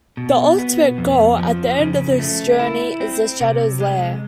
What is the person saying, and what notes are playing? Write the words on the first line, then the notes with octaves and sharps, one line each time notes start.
The ultimate goal at the end of this journey is "The Shadow's Lair".
B2
B3
F2
F3
C#3
A3
E4
C4
C3
G#3